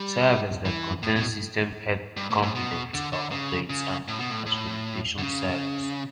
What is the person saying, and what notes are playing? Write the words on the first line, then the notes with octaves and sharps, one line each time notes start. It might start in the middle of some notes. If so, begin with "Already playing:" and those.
Servers that contain system health components or updates are known as remediation servers.
Already playing: G3
E3
A2
B2
G2
A2
A2
B2
D3
D3
C#3
C#3
A2
B2
A2
A2
D3
C#3